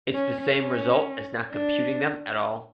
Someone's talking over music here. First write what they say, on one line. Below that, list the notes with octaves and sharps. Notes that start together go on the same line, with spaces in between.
It's the same result as not computing them at all.
C#4
C#4
D4